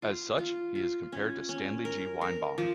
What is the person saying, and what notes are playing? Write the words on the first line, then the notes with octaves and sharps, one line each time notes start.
As such, he is compared to Stanley G. Weinbaum.
F4
F4
F4
C#4
C#4
A#4
A#4
F3